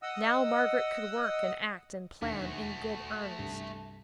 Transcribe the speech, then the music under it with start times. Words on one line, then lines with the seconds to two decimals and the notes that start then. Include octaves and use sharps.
Now Margaret could work, and act, and plan in good earnest.
0.03 D#5 F#5 D#6 E6
2.22 E1 D#2 A3 D4 F#4
3.38 C2 G2